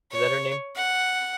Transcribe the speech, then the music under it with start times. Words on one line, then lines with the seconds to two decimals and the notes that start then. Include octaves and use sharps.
is that her name?
0.11 C#5
0.76 F#5